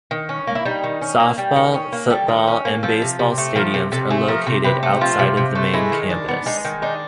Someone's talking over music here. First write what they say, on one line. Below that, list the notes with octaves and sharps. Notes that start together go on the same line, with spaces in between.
Softball, football, and baseball stadiums are located outside of the main campus.
D#3
C#4
A#3
E4
G3 D#4
D#3
C#4
A#3
G3
D#3
C#4
A#3
G3 A4
D#3
C#4
A#3
F3 A4
C3
C3
A3
F3 A#4
C3 A4
C3 A4
A3 G#4
F3 A#4
C3
C3 B4
A3
F3 F4
C3
C3
A3
G#3 E4
D#3
D4
B3
G#3 D#4
D#3
D4 D#4